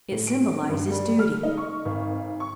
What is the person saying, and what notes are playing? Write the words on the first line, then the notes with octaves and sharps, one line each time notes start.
It symbolizes duty.
A2
D7
G2
G3
F6
D#4
C#6
G#1
C#6